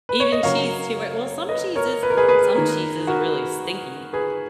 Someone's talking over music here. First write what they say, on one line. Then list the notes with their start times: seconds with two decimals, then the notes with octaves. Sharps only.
Even cheese too, right? Well, some cheese is some cheese is really stinky.
0.09 B4
0.20 C#5
0.32 D#5
0.43 C#3 F#3 A#3 C#5 F5
1.49 B4 D#5
1.76 A#4 C#5
2.03 B4
2.10 A#4
2.17 G#4 B4
2.28 G#4 B4
2.56 D#3 A#3
3.07 F#4 A#4
4.13 G#4 B4